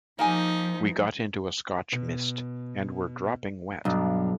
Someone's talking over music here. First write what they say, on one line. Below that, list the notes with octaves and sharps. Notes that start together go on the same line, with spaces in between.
We got into a Scotch mist, and were dropping wet.
F3 A#3 D#4 G4 G#5
B2
B1 G2 D4